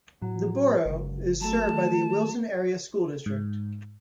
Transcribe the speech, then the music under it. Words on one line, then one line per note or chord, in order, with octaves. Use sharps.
The Borough is served by the Wilson Area School District.
A2 F#3
G1 C#2 F#2
F#3 A3 A5
D#3
G#2